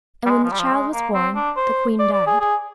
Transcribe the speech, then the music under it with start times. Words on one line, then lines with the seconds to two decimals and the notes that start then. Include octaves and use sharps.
And when the child was born, the queen died.
0.26 G3
0.30 G#3
0.45 F3
0.52 G3
0.59 F3
0.72 G#3
0.94 A#3
1.14 C4
1.36 D4
1.57 C5
1.99 D5
2.12 D5
2.27 G#4
2.40 G#4